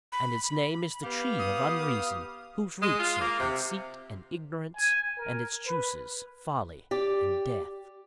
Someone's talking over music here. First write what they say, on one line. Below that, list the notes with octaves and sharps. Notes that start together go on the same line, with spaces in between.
And its name is the Tree of Unreason, whose roots are conceit and ignorance, and its juices folly and death.
B5
B3 G4 F5
D#6
G#3
F4
A#3
C3
G#5
A#4
B4
G4 D5